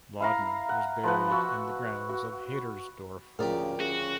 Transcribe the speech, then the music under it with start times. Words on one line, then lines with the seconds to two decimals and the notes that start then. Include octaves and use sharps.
Laudon was buried in the grounds of Hadersdorf.
0.20 E4 F5 A#5
0.69 F#5
1.04 F3 B4 F#5
1.31 F#4 C#6 E6
2.09 F#4
3.39 D2 C#3 F3 G4 A#4 D5
3.80 C#3 F#4